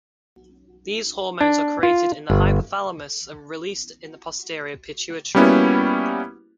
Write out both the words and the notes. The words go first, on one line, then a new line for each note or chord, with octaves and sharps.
These hormones are created in the hypothalamus and released in the posterior pituitary.
D4
F4
G1
G3 A#3 B3 C#4 E4 F#4